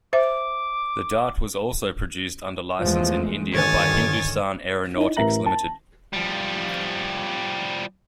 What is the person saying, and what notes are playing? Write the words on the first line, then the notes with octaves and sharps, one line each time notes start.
The Dart was also produced under licence in India by Hindustan Aeronautics Limited.
C5 E5 D6
E2 F3 G#3 A3
A1 G2 D3 D#3 C#5 G#5 A6
D#4 E4
A1 A#4 E5 A#5 A#6 F#7
A5
F3 G3